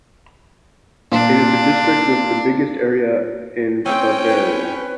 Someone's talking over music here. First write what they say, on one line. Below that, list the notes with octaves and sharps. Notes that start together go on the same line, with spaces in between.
It is the district with the biggest area in Bavaria.
A#2 D4
C4 C#4 G5
B4